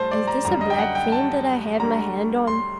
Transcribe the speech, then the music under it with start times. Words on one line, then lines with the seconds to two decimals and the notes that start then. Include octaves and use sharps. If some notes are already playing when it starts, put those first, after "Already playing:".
Is this a black frame that I have my hand on?
Already playing: A2 G3 C5 A5
0.11 D5
0.27 A#5
0.45 F#2 D3 G3 A#5
0.61 D#5
0.70 G5
0.79 F#5
0.95 G5
1.12 A5
1.80 D2 D3 G3 A#5
2.47 C6